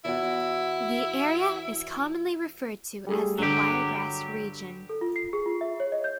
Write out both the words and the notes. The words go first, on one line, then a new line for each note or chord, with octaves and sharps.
The area is commonly referred to as the Wiregrass Region.
E2 E4 F#4
G3 A3 G#4
G2 D3 F#3 G4
A4
F4
C7
G#4
F4
E5
C#5
D#5
G6